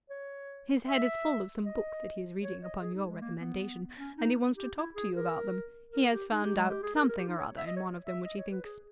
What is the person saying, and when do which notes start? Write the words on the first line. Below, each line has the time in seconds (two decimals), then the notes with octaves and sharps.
His head is full of some books that he is reading upon your recommendation, and he wants to talk to you about them; he has found out something or other in one of them which he thinks--oh!
0.10 C#5
0.88 E5
1.65 D#5
2.43 C#5
2.62 D#5
2.81 G#4
2.94 D#4
3.08 G#3
3.21 A#3
3.40 B3
3.98 C#4
4.18 D#4
4.56 G4
4.76 E4
4.95 G#4
5.14 A#4
5.92 A#4
6.12 G4
6.31 D#4
6.44 G4
6.57 G#3
6.69 G4
6.83 G#4
6.96 A#4
7.09 A#4
7.18 G4
7.28 D#4
7.38 C#5
7.57 E5
7.66 D#5
7.76 C#5
8.06 E5
8.25 D#5
8.38 C#5
8.51 B4
8.64 G#4